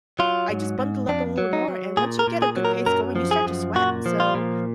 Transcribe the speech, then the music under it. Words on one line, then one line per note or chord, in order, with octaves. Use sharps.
I just bundle up a little more, and once you get a good pace going, you start to sweat, so,
F#3 F4
G#2
G#2
F2 D4
F#3
D#4
F#3
A#2 G#4
A#4
A#2
G#4
F#3
A#4
F#2 A#4
F3
G#4
F#2
A#2 F#4
F3
F4
A#2